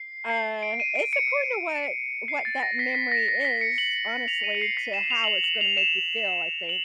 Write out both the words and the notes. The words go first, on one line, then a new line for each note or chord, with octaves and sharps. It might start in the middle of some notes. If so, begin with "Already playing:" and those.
Uh, it's according to what what that memory is, honestly, to how it's gonna make you feel, I think.
Already playing: C7
C7
D7
D#7
D7
C#7
C7
A6
A#6
B6
B6
A#6
A#6
B6
C#7
F#7
F7
D#7
C#7
C7
B6
E7
F7
F#7
F7
F#7
F7
E7
F#7